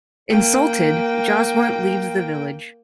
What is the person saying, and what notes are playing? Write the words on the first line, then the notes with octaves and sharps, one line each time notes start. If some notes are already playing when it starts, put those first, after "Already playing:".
Insulted, Jaswant leaves the village.
A#3 G5